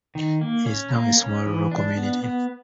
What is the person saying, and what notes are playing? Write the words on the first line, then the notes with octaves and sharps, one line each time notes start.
It is now a small rural community.
D#3
A#3
C#4
A#3
C#4
E3
D4
B3
B3